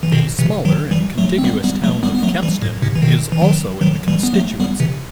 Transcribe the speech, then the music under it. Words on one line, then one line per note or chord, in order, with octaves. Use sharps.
The smaller and contiguous town of Kempston is also in the constituency.
E3
B2 D#3
C3 E3
D#3 F#3
E3 G3
F#3 A3
C4
G3 B3
G3 B3
F#3 A3
G3 B3
B3
F#3 A3
E3 G3
A2
A2 C3
E3
B2 D#3
E3
D#3 F#3
D#3 F#3
E3 G3
B3
F#3 A3
G3 B3
C3 E3